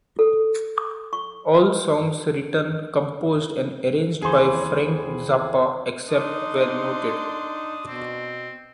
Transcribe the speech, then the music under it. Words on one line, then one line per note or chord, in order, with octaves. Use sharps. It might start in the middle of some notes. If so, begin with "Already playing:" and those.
All songs written, composed and arranged by Frank Zappa except where noted.
A4
C#6
D#2 E3 G#4 C5
D4 D#4 C6 D#6
B2 C4